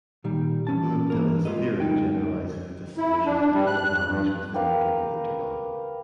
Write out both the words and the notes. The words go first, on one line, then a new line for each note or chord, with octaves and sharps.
Abouabdillah's theorem generalizes this solution to all values within the given interval.
A#2 D#3 G3
E3 C#4 A5
E3 A#3 A#4
G3 G#3 F4 A4 B4 D#5
D2 G#3 D#4 G5
E4
D4
G3
F#6
G2
G4 A#4 B4 F5